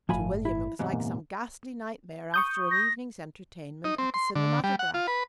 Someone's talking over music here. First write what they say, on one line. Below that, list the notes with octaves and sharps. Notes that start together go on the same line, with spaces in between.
To William it was like some ghastly nightmare after an evening's entertainment at the cinematograph.
G1 A2 F3 G#5 B5
E4
E2 G#2 C3
A#2 A#3
C#6 D#6 G6
A#6
D#4
C4
C6
D3
G3
F#5
F4
B4